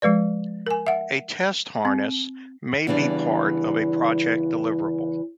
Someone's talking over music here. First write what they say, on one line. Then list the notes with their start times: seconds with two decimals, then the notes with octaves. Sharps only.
A test harness may be part of a project deliverable.
0.02 F3 G#3 B4 D5
0.67 A#4 G#5
0.87 E5 F#5
1.85 C4
2.87 E2 C#3 E3 G3 D4